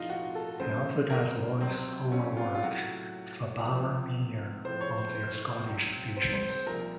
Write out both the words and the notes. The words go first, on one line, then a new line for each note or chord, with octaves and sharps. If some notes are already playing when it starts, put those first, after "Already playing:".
He also does voice over work for Bauer Media on their Scottish stations.
Already playing: A2 F3 D#4 F4
F#4
A4
D#2 C#3 F#3 C5
A#4
C#2 C3 F#3 C4
C#4
F4
F4
A2 F#3 F#4
C#2 C3 F3
A2 F3 C5
C#5
C5
C5
C#2 C3 F#3
C5
C5
C5
C2 A#2 F3 A#4